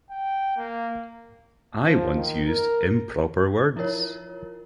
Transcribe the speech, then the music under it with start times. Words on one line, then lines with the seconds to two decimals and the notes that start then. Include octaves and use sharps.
I once used improper words.
0.10 G5
0.58 A#3
1.85 F3
2.16 D#3
2.47 A#4
3.76 F3 E4 F4 A#4 C#5